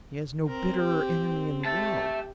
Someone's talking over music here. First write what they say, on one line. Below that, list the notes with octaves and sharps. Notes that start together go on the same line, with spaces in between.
He has no bitterer enemy in the world!
C4 A#4
G4
G4 E5 A5